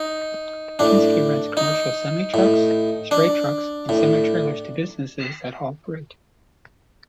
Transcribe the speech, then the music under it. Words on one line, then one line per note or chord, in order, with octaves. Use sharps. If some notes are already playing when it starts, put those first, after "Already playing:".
Penske rents commercial semi-trucks, straight trucks and semi-trailers to businesses that haul freight.
Already playing: D#4
A2 D4
D#4
A2
D4
A2